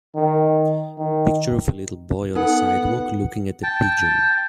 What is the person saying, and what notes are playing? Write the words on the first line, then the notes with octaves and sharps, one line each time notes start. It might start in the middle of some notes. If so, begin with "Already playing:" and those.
Picture of a little boy on a sidewalk looking at a pigeon.
D#3
D#3
B3 D#4 A4 F#5
G5 A5